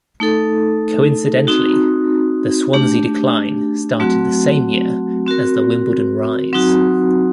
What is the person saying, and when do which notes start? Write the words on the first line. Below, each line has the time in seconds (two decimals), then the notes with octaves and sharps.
Coincidentally, the Swansea decline started the same year as the Wimbledon rise.
0.20 A3 D#4 A4
1.47 C4 D#4 F#4
2.73 A3 D4 G4
4.00 F#3 A3 C4 F#4
5.27 C4 F#4 A#4
6.53 F#3 C4 D#4 F#4